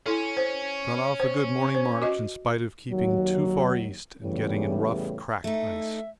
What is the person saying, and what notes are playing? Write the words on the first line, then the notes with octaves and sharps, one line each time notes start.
Got off a good morning march in spite of keeping too far east and getting in rough, cracked ice.
C#4 E4 A4
C5
C5
C5
F#4 D#5
D#2 F#3
E2 A2 C#3 E3 G3
A3 D#4 E5